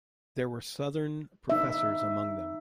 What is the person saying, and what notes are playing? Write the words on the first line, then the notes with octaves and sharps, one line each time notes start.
There were Southern professors among them.
D#4 E5